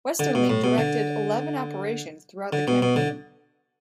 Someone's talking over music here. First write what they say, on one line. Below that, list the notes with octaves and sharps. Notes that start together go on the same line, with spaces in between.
Westerling directed eleven operations throughout the campaign.
D3
B2
A2
B2
D3
D3
B2
B2
D3